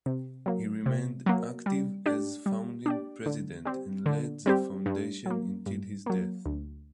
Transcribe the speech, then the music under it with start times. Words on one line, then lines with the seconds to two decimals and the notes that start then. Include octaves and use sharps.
He remained active as founding president and led the foundation until his death.
0.06 C3
0.46 F#3 A#3
0.86 C3
1.26 F#3 A#3
1.66 G3
2.06 D4 G4 D5
2.46 G3
2.86 D4 G4 D5
3.26 D3
3.65 G3 C4 G4
4.06 D3
4.46 G3 C4 G4
4.86 G2
5.26 F#3 A#3
5.66 G2
6.06 F#3 A#3
6.46 D2